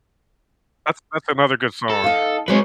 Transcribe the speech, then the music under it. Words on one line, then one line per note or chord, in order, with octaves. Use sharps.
That's that's another good song.
A4
D#4 F5
F#3 G#3 C4 B4 C#5